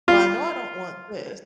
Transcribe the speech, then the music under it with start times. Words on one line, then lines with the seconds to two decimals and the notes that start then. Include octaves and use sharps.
"Well, I know I don't want this."
0.08 F4